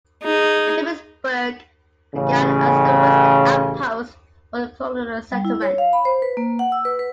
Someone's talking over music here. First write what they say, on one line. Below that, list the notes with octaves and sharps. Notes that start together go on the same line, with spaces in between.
Shippensburg began as the western outpost of colonial settlement.
D#4 G#4
A1 C#3
G3
E4
C#5
F5
B5
C5
B4
A#3
F#5
E6
B4
B4